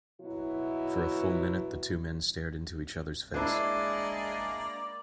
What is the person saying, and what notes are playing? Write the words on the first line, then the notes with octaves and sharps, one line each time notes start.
For a full minute the two men stared into each other's face.
B2 F#3 E4
G#3 A#3 D4 E4 D5 A#5